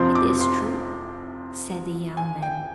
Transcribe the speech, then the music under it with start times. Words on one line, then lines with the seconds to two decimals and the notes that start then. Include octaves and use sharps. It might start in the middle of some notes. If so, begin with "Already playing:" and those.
"It is true," said the young man.
Already playing: F2 C3 F3 C4 C6
0.15 D6
0.41 C6
2.17 G#5
2.42 G5